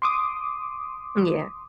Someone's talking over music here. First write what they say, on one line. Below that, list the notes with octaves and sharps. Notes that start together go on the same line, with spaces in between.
Mm, yeah.
C6 D6 D#6